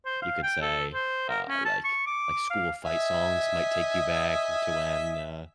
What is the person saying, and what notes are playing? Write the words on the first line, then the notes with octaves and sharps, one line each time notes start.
you could say, uh, like like school fight songs might take you back wh to when, uh,
C5
F5
G5
A4
C5
A#4
C#4
A5
C#6
D6
F5
D#5 E5 G#5